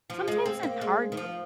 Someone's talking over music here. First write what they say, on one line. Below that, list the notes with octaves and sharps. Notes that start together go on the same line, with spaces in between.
Sometimes it's hard
F3
G#3
C4
A#3
G#3
D#3
F3